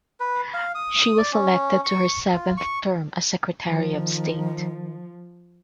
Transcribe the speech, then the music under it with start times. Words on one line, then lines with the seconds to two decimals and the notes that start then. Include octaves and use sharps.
She was elected to her seventh term as Secretary of State.
0.20 B4
0.54 F5
0.75 D#6
1.18 D5
1.33 C#4
1.84 C#6
2.34 F4
2.57 C#6
3.65 D#3 F3